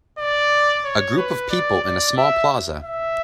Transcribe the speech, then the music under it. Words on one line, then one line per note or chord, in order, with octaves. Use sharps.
A group of people in a small plaza.
D5
C#5
B4
D5
D5
E5
E5